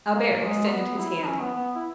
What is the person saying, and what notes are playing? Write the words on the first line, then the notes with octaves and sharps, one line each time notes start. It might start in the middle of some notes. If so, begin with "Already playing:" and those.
Albert extended his hand.
A#3
A#3
G#3
B3
E4
C#4
B3
B3
E4